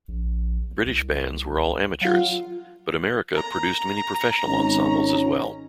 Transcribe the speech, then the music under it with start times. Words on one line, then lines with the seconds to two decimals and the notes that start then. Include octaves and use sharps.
British bands were all amateurs, but America produced many professional ensembles as well.
0.08 A#1
0.86 C2
2.01 F#3 F4 F5 F#5
3.35 A#5
4.46 G#1 C#4 D#4